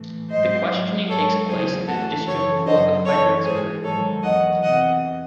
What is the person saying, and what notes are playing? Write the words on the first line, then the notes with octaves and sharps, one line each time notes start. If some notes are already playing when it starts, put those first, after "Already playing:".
The questioning takes place at the District Court of Frederiksberg.
Already playing: A2 E3
G#2 F#3 C5 D#5
G#2 F#3
G#2 F#3 A4 C#5
E2 C#3 F#3 G#4 C5
A2 E3 F#4 A4
F#2 C#3 E3 A4 C#5
F#2 C#3 F#3 C5 D#5
F#2 E3 A4 C#5
G#2 E3 G#4 C5
G#2 D#3 F#3 A4 C#5
E2 D#3 F#3 D#5 F#5
E2 C3 E3 D#5 F#5